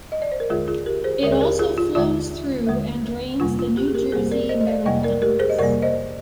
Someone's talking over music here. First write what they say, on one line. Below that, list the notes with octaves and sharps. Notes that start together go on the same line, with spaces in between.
It also flows through and drains the New Jersey Meadowlands.
D#5
D5
C5
A#4
D#2 D3 G#3 F4 G#4
F4 G#4
G4 A#4
G#4 C5
D#2 D3 G#3 A#4 D5
G#4
G4 A#4
F4 G#4
F4
D#2 D3 G#3 F4
D#2 D3 G#3
F2 C3 G3 A#3 F4
F4
G4
G#4
G4 A#4
F2 C3 G3 A#3 G#4 C5
A#4 D5
C5 D#5
D#5
D5 F5
F2 C3 G3 A#3 D#5 G5
A#4 D5
G4 A#4
G#4 C5
D#5
F2 C3 G3 A#3 A#4 D5
C5 D#5